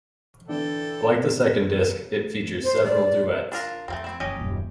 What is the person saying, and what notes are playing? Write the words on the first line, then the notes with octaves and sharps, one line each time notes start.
Like the second disc, it features several duets.
D3 E3 D4 A4 G5
C5
D5
D4 F4 A#4
F2 A3 A#3 C4
C4 E4
F#1 C#4 G4 D#5
D#1 F#2